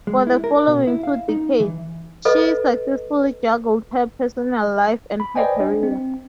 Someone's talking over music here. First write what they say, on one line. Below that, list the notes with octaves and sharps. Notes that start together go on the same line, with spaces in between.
For the following two decades, she successfully juggled her personal life and her career.
G#3
E4
A#4
B2
E4
F5
D#4
E3
A4 B4 D#5
B5
B4 C5 D5 D#5 G5 G#5
D4
C4